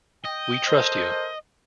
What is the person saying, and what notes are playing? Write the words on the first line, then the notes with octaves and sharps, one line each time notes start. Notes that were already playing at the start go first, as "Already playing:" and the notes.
We trust you.
D#5 G5
A4 A#4 C5